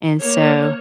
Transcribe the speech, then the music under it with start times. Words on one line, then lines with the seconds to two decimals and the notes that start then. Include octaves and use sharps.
And so,
0.20 A#3 C#5